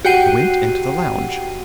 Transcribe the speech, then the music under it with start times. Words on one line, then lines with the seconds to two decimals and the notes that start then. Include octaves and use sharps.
I went into the lounge.
0.05 F#4 G4 F#5 G5 C7 D#7